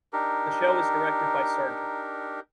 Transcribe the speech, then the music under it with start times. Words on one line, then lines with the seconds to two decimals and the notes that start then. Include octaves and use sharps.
The show was directed by Sgt.
0.13 D4 D#4 G4 A#4